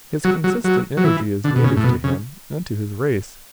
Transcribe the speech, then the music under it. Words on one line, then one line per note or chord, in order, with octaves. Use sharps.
His consistent energy is native to him and to his race.
F#3
F#3
F#3
F#3
E3
D3
B2
C#3
A2
B2
C#3